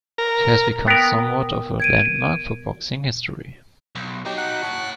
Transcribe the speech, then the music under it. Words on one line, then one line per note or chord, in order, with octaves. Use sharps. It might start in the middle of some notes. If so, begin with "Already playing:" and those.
It has become somewhat of a landmark for boxing history.
A#4
B3 A#4 G5 D#6
G#6 D7 D#7
B1
F#3 D#4 G4
F#5 F#6
C#5 A5